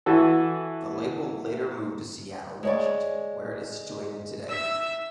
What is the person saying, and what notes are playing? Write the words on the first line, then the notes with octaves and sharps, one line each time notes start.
The label later moved to Seattle, Washington where it is situated today.
E3 F#4 A4
G#3 C#5 D5
E5 E6